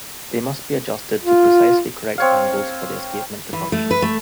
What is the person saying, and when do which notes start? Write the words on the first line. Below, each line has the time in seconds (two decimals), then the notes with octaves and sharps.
They must be adjusted to precisely correct angles for the escapement to function.
1.23 F4
2.18 C4 C#5 F5
3.53 E3
3.72 A3
3.91 B4
4.02 A3